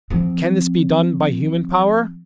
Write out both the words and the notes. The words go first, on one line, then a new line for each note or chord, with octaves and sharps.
Can this be done by human power?
F3 C4